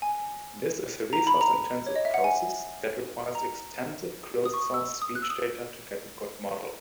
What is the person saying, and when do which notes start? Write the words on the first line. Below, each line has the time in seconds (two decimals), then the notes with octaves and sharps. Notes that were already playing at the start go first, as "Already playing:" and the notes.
This is a resource-intensive process that requires expensive closed-source speech data to get a good model.
0.02 G#5
1.13 A#5
1.27 B5
1.41 A#5
1.86 C#5
1.96 D#5
2.05 E5
2.14 F#5
2.24 G#5
3.35 A#5
4.45 D#6
4.54 C#6
4.61 D#6
4.74 E6
5.02 D#6
5.15 F#6
5.22 E6
5.30 D#6